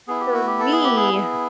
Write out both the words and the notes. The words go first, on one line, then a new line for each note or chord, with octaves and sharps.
For me,
B3 E4 G#4
G4
F#4
G4
A4
G#4
G4
G#4
B3 E4